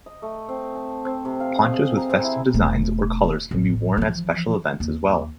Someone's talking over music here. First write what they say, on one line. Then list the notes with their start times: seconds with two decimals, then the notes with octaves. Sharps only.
Ponchos with festive designs or colors can be worn at special events as well.
0.06 D#5
0.22 A3
0.49 C4
0.76 A5
1.05 C4
1.25 C3
1.40 F5
1.58 D#5
1.73 G#4
1.97 A#5
2.10 C4
2.23 E4
2.54 E1 A3
3.51 A1
3.97 E3 F3
4.80 D#2